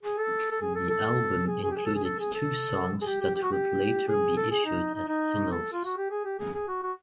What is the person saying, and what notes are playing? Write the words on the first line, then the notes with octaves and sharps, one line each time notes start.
The album included two songs that would later be issued as singles.
G#4
A4
A4
G#4
A4
A4
G#4
G#4
G4
G#4
A4
G#4
A4
G#4
A4
G#4
G4
G4
G4
F#4
G4
G#4
A4
G#4
D#4
D#4
D#4
A4
F4
F#4
G4
G#4
G4
G#4
G#4
F#4
F#4